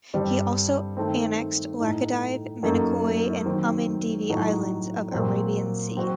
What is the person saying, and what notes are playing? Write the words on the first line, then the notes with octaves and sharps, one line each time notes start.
He also annexed Laccadive, Minicoy and Amindivi islands of Arabian sea.
G2 D3 G3 C4 G4
D#3 A3 C4
A2 A3 D#4
F#2 F#3 A#3 D#4 A4
D#3 F#3 C4
A2 F#3 A3 D#4 F#4
A#2 F#3 C4
F#3 C4 F#4 C5